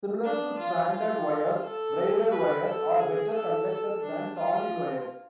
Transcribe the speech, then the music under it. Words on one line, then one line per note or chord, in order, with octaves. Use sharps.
Similar to stranded wires, braided wires are better conductors than solid wires.
D4
F4
F4
A4
B4
A4
G#4
A4
A4
D4
F4